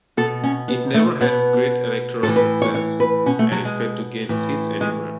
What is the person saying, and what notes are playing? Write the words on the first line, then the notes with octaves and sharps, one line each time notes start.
It never had great electoral success, and it failed to gain seats anywhere.
B2 A4
C#4
B3
A3
B2 B3
A2 E3 A4
B4
C#5
C#5
B4
B2 C#4
A3
F#3
G#3
A2 E3
G#3